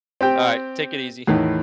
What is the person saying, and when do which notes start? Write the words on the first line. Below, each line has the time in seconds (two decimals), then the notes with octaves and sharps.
Alright, take it easy.
0.21 C4 G4 G5
1.27 E2 A2 D#3